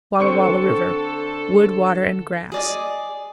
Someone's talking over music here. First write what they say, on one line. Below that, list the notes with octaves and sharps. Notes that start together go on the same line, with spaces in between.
Wallah Wallah River.--Wood, water, and grass.
D3 C4 A4 C#6 C#7
G#4 D5 D#5